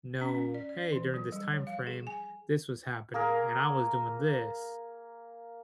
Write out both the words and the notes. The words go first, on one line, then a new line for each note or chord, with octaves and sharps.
know, "Hey, during this timeframe, this was happening and I was doing this."
C#4
C#4
D5
D5
E3
F#3
G3
F3
F5
G#4
G#5
A#3 G#4 A#4